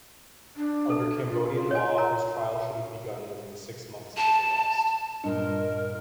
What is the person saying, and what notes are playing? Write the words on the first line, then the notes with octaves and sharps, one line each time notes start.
Under Cambodian law his trial should have begun within six months of his arrest.
D4
A4
F4
C#5 D5 G#5
A#4 C#5 A#5
A5
G2 A#2 D4 F4 A#4 D#5